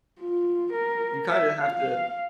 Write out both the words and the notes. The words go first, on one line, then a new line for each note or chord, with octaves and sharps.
you kind of have to
F4
A#4
E5
F5